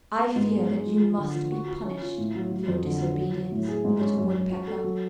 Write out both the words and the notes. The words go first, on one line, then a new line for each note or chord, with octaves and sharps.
I fear that you must be punished for your disobedience, little Woodpecker.
B3
G#2
G#3
G#3
F3
F3
D3
F3
F#4
F#4
C#4
F4
A2
F#3
F#3
F2
D3
F#3
F#3
F#3
A2
G#4
G#2
C#4
F#2
C#4
F#4
A4
F#3